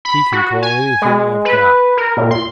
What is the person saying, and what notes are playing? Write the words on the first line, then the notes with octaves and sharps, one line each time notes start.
He can call anything I've got.
B5
F#4
G#5
G#3
B4
A#4
A#2
C6